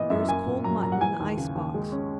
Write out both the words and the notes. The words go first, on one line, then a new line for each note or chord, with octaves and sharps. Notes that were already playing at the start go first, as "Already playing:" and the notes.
There is cold mutton in the ice box.
Already playing: A#2 E3 B3 E4 D#5
F#2 E5
A#3 G#5
A#2
F#3 A#5
A#2 A#5
F#5
E3 G#5
D#2
C#3
D#2
G#3
C#4